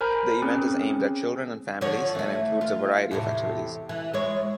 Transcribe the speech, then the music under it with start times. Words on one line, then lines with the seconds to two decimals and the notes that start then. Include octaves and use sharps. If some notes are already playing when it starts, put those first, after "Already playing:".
The event is aimed at children and families, and includes a variety of activities.
0.01 A#4 C5 G#5 A#5 B5 G6
0.42 C4 C#4 G#4
1.81 D3 F3 C#5
2.15 E3 A3
2.61 F4
3.11 E2 A2 C3
3.89 E3
4.14 G#3 E4 C#5